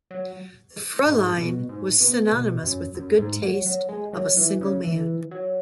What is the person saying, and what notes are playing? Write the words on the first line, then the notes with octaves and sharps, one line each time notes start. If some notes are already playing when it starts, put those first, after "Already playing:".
The "Frua line" was synonymous with the good taste of a single man.
F#3
G#2
B2
G#2
B2
B2
F#2
F#2
G#2
F#3
F#3
G#3
F#3
E3
C#3
E3
F#3